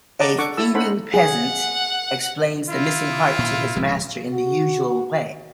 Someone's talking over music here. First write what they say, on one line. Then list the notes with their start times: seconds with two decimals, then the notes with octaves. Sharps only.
A thieving peasant explains the missing heart to his master in the usual way.
0.20 D#5 F#5 A5 A#5 D6
0.38 D4 A4 F#5 C#6 D6
0.57 E4 A4 A5 E6
0.74 C#4 D#4 A4 C5 F#5 B5
1.14 G#4 F#5
2.68 E4 F4
3.39 A#2
3.76 D1 F3 G#3
4.33 F#4